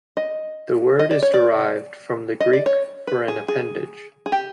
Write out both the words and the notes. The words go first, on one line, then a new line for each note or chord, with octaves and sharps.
The word is derived from the Greek for an appendage.
D#5
D#5
D5
C#5
D5
D#5
D5
C#5
B4
G#4
G#4
G#4
G4